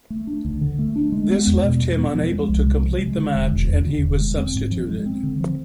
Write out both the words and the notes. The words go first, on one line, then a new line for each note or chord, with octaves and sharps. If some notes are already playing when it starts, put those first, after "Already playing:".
This left him unable to complete the match and he was substituted.
A3
D4
D2
D3
A3
D4
G#3
B3
E2
B2
G#3
B3
F3
G#3
C2
C3
F3
G#3
D3
E1
E1
E2
D3
E1
G#3
C4
G#2
F3
G#3
C4
D3
F3